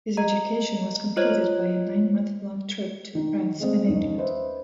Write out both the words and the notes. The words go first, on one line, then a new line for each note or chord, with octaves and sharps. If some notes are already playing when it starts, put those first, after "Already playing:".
His education was completed by a nine-month-long trip to France and England.
D#5 A#5
F4 C5 C#5 D#5
D#3
G#3 A3 C4 C5 D#5
D#2 C#4 D#5
B4 C5 D#5 E5